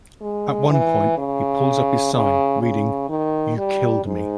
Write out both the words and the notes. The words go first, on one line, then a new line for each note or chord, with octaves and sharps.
At one point he pulls up his sign, reading "You killed me".
G#3
E3
C#3
C#3
C#3
D#3
G3
G#2